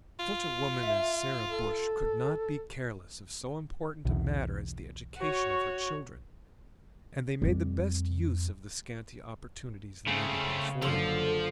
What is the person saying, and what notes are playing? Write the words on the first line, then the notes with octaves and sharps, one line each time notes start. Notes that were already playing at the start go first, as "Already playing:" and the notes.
Such a woman as Sarah Bush could not be careless of so important a matter as the education of her children, and they made the best use of the scanty opportunities the neighborhood afforded.
F4
E5
A4
B1 E2
F#4 C#5
F2 G3
C#3 A3 C4
F#1 D3 F3 A4